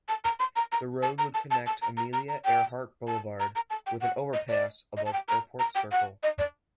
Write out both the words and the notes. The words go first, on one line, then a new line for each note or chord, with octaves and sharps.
The road would connect Amelia Earhart Boulevard with an overpass above Airport Circle.
A5
A#5
C6
A#5
A#5
A5
A#5
A5
A5
A5
A#5
A#5
A#5
A#5
G5
A5
A#5
A#5
A5
G5
F#5
D#5
D5
D#5
A5
G5
A#5
A#5
G5
F#5
D#5
D5